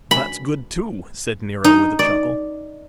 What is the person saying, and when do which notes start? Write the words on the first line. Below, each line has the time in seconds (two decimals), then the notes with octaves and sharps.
"That's good too," said Nero, with a chuckle.
0.11 B5
1.64 D#4
1.99 D5